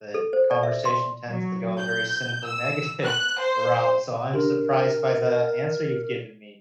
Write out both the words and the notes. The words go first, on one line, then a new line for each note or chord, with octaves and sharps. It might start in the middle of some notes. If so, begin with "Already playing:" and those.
the conversation tends to go a very cynical, negative route, so I'm surprised by the answer you've given me,
A4
C5
D5
E5
C6
F#3
G6
E6
F#6
C5
D4 G4 A#4